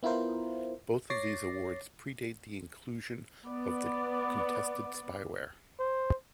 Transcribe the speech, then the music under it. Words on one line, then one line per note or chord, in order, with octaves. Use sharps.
Both of these awards predate the inclusion of the contested spyware.
B3 E4 F4 A#4 C5
C#5 D6 A6 A#6 C7
B3 D5
C5